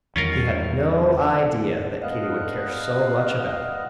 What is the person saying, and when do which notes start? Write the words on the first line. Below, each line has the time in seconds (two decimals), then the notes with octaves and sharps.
He had no idea that Katy would care so much about it.
0.16 E2 D#3 G3 C#4 F4 A#4
2.02 G2 B3 D#5 F5 F#5 F#6